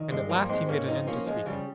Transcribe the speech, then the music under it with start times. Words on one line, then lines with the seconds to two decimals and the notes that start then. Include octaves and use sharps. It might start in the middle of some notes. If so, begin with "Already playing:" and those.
And at last he made an end to speaking.
Already playing: D#3
0.10 G2 G#3
0.29 F3 G3 A#3
0.49 G#2 G#3 C4
0.68 G#2 A#3 C#4
0.88 F3 C4 D#4
1.07 F3 A#3 C#4
1.27 F3 G#3
1.46 C#3 G3